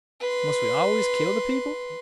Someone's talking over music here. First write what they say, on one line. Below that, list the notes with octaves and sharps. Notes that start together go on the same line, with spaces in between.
"Must we always kill the people?"
B4 C6